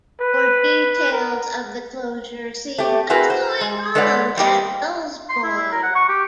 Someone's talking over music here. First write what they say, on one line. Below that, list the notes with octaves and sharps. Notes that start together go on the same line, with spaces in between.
For details of the closure, see 'What's Going on at Wellesbourne?'.
B4
A#4
A3 G4
C4 E4 F#4 G#4 A#4 B4
C5
G#3
G#3 A4 B4 C#5 D5 F#5
G3 A#3 G4 D#5
C6
E4
E4
A#4
F#5
C#6
G4